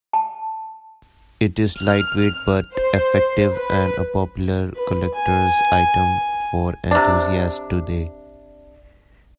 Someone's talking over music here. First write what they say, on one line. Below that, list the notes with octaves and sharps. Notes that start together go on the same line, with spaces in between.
It is light-weight but effective, and a popular collector's item for enthusiasts today.
A5
F6
C5
B4
B4
G#5
C3 D4